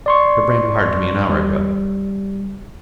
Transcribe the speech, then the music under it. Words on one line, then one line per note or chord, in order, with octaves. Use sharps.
"Mr. Brand wired to me an hour ago."
D5 C6 C#6
G3